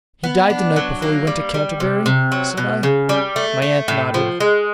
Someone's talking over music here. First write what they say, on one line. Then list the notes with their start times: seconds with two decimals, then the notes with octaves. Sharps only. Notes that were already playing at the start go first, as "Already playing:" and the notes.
'He died the night before we went to Canterbury?' said I. My aunt nodded.
0.24 B3
0.50 D4
0.76 F#3
1.02 A#3
1.27 G3
1.54 G3
1.80 C3
2.06 C3
2.32 F#3
2.57 B2
2.83 C#3
3.09 G3
3.36 A3
3.62 A3
3.88 A2
4.14 F3
4.40 G#3